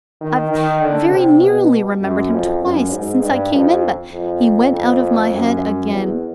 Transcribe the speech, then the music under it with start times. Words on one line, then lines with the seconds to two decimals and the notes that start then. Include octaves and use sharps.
I've very nearly remembered him, twice, since I came in; but he went out of my head again.
0.21 D#3
0.50 D#3
0.81 D3
1.10 C3
1.41 B2
2.01 F#2
2.31 F2
2.62 F#2
2.91 G#2
3.21 G2
3.52 F2
4.11 F2
4.73 F2
5.32 F#2
5.92 E2